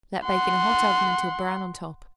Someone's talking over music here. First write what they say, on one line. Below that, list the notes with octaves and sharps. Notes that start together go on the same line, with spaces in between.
Let bake in a hot oven until brown on top.
F#5 C6